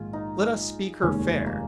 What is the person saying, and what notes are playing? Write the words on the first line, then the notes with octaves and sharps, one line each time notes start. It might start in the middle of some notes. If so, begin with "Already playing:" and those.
Let us speak her fair.
Already playing: A#1 G#2 D#3 G#3 F4 G#4
D#4
F1 D#2 D#3 G#3 C#4
A#3